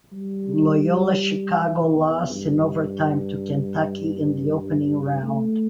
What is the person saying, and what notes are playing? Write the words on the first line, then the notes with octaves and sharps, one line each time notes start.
Loyola Chicago lost in overtime to Kentucky in the opening round.
G3
E3
E2
G2
A3